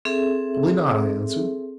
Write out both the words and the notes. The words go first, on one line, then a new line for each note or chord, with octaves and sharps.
"Probably not," I answered.
C4 G#4 A4 E5